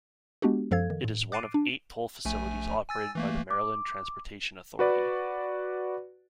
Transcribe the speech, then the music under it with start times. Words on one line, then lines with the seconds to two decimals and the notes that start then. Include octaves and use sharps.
It is one of eight toll facilities operated by the Maryland Transportation Authority.
0.42 G#3 B3 D4 F#4 G4
0.71 F#2 F3 A4 F5 G#6
0.90 D#3
1.04 A2
1.32 D6 F#6 A6 C7 D7 D#7
1.54 D4
2.25 A#1 A3 G#5
2.89 G#5 E6 A6
3.15 E3 A3 A#3
3.51 D6
4.79 F#4 B4 D5